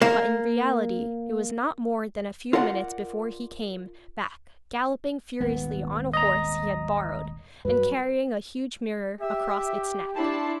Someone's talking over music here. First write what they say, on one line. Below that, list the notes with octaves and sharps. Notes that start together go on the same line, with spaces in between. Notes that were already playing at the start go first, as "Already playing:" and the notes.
But in reality it was not more than a few minutes before he came back, galloping furiously on a horse he had borrowed, and carrying a huge mirror across its neck.
A#3
F4 A#4 D5 F#5
D#1 G#1 B3
D#5 A#5
G2 F#3 B4
G4 E5
D4 E4 A5 C6